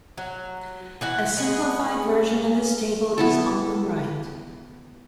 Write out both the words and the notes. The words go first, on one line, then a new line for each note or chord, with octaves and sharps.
A simplified version of this table is on the right.
F#3
E3 F#4 F#5
G#3 B3 G#4
C#4
B3 E4 A4